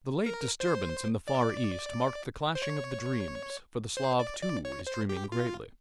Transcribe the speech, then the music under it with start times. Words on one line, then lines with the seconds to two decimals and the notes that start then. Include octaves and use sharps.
The late disturbance in the Far East marked the clashing of the dreams, for the Slav, too, is dreaming greatly.
0.26 A#4
0.60 C5
1.28 D5
2.55 C5
2.62 C#5
3.97 C5
4.19 D5
4.42 D5
4.65 C#5
4.87 C5
5.09 G4
5.32 F4